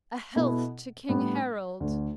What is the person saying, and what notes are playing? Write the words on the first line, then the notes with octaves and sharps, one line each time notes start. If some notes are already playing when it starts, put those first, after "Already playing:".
"A health to King Harald!"
B2 B3 E4 A4
A2 G3 B3 D4
D2 D3 A3